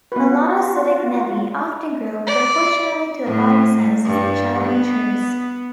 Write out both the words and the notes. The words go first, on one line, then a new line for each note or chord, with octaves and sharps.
Melanocytic Nevi often grow proportionally to the body size as the child matures.
B3 F4 F#4 B4
D5
A2
G2
B3